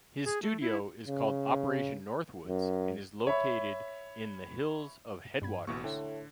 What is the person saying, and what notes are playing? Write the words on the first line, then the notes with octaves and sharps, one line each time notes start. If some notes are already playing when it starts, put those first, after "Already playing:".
His studio is called Operation Northwoods and is located in The Hills of Headwaters.
G#4
A3
E4
C#3
F#2
C#5 E5 B5
G2 B5 G#6
A1 B2 A#3 E4 C#6
A2 D3 G5